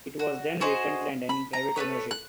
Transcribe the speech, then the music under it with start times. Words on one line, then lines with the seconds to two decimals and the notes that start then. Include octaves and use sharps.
It was then vacant and in private ownership.
0.19 F#4
0.61 F#4 G#4 C5 D#5
1.29 B5
1.53 A#5
1.76 A3 C#4 B4 C#5
2.11 F#6